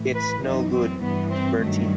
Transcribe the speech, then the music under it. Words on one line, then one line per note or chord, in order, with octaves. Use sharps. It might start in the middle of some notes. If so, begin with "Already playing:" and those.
It's no good, Bertie.
Already playing: A2 E3
B4
F#2 E3 D#4
C4
G2 E3 B3
C4
G2 D#3 F#3 A3